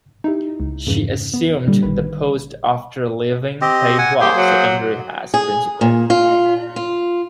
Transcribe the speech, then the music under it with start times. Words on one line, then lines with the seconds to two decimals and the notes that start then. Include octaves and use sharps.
She assumed the post after leaving Pei Hua Secondary as Principal.
0.24 D#4 E4 G4
0.60 C#2
0.87 F2 G#2 C#3 E3
1.34 B3 B4
1.68 A#2 D3 G3
1.83 A1 D#3 B4
3.61 C4 G4 D#5
3.98 F#5 G#5
4.20 A#3 G4 G#4 C5
4.35 F#3
5.34 G#4
5.81 A#2
6.10 F4
6.76 F4